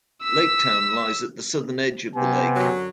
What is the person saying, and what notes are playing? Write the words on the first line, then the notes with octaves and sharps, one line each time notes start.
Laketown lies at the southern edge of the lake.
E6 B6
C3 B3 G#5
F#2 D3 F#3